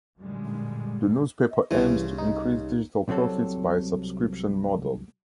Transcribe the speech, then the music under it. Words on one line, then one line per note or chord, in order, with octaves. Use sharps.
The newspaper aims to increase digital profits via a subscription model.
A1 F#2 A#2 D3 G3 G#3
C2 C#3 E3
D#4
C2 C3 F#3 C4 A4